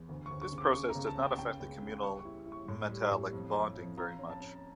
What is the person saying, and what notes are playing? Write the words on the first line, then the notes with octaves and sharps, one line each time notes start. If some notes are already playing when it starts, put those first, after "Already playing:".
This process does not affect the communal metallic bonding very much.
Already playing: E2
D2
D2 C#6
C#6
C#3
D6
C#3 C#6
A#5
C#2
A5
C#3
G5
C#3 G5
C#2
C#3
G3 C#6
C#6
E4
E4
C#6
A2
G3
A2
F2
F2
F2
F4 A#5
C#4
A5
C#4